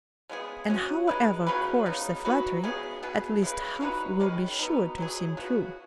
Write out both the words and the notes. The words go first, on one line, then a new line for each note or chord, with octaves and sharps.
And however coarse the flattery, at least half will be sure to seem true.
C#3 G#3 B3 G#4
F#3 C#4 F#4
G#3 D#4 B4
C#3 F#3 C#4 B4
C#3 B3 D#4
F#3 D#4 F#4 B4
C#3 G#3 B3 G#4
B2 B3 G#4 B4
C#3 G#3 D#4 B4
F#3 D#4 F#4 B4
D#3 G#3 C#4 B4
B2 B3 D#4
F#3 B3 G#4
C#3 B3 F#4